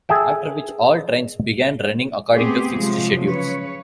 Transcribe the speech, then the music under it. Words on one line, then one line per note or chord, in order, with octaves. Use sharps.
After which, all trains began running according to fixed schedules.
G#4 A4 E5 G5
A3 B3 C4 G4 G#4
C3 F3 F#3 G#3
C#3 B4 C#5